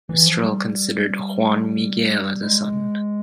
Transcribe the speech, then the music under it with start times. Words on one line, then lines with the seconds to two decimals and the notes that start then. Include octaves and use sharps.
Mistral considered Juan Miguel as a son.
0.09 E3
0.26 F3
0.43 G3
2.42 G#3